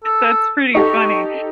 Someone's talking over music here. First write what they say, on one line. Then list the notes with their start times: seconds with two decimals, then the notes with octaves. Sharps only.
That's pretty funny.
0.04 A4
0.75 D#4 G4 A4 C#6